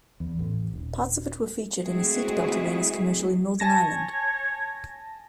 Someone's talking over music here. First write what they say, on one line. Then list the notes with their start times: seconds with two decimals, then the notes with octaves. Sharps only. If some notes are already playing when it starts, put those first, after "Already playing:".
Parts of it were featured in a seatbelt awareness commercial in Northern Ireland.
0.20 E2
0.39 A1
0.74 D#1
1.80 G#3 A3 C4 E4 F#4 G#4
3.60 C#5 G#5 A5 A#6